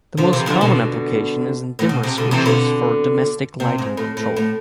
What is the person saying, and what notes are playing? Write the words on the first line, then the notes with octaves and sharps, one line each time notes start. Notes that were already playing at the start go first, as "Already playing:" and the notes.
The most common application is in dimmer switches for domestic lighting control.
D3 F3
C3 E3
D3 F3
B2 D3
A2
B2
C3
B2 D3
C3 E3
B2 D3
C3
G#2
A2
A2
A2